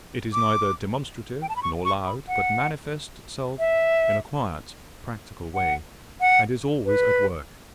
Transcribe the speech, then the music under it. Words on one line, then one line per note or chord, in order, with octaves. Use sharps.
It is neither demonstrative nor loud, but manifests itself in a quiet, practical way, and is always at work.
D6
G5
A5
B5
C#6
C#6
B5
F#5
E5
F#5
F#5
B4